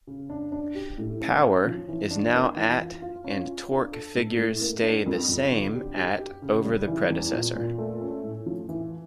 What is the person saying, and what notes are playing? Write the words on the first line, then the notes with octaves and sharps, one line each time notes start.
Power is now at and torque figures stay the same at over the predecessor.
C#3
D4
D4
G4
A2
C#4
C#4
F3
E3
D4
A#3
E3
F4
F4
C#4
F4
D4
A4
A2
A2
A#3
D4
F2
F2
D3
G4
G4
G4
C#3
G3
E3
E2
A#2
A#2
A3
C#4
A2
F3
E3